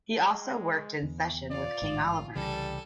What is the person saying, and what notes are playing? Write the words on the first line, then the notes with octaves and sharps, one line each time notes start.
He also worked in session with King Oliver.
G#3
E2
F4 D5
A1 G#2
C2 C#3 E3 G3 A4 G#5